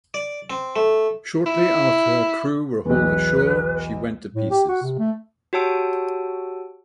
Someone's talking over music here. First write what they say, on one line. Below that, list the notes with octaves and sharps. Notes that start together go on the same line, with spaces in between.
Shortly after her crew were hauled ashore she went to pieces.
D5
C4
A3
E4
B1 E2 B4
A2
G4
F#4
C3
A3
F#4 G4 C#5 A5 E6 D7